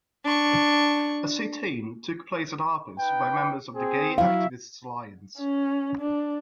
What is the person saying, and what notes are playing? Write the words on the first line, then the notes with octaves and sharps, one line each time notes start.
A sit-in took place at "Harper's" by members of the Gay Activists Alliance.
D4 C#6
D#4 B4 G5
C4 G#4
F#3 E4 F#4 E5 F5
C#4
D4